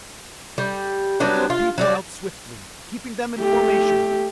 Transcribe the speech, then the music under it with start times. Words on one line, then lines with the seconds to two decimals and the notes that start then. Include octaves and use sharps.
Get your people out swiftly, keeping them in formation!
0.58 G3
1.20 F#3 G3 B3 D4
1.50 F4
1.78 F#3 G3 D5
3.39 A3 G4